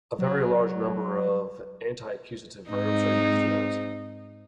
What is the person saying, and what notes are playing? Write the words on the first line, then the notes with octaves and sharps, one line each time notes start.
A very large number of antiaccusative verbs are used in it.
F#3
G#2 C4 D#4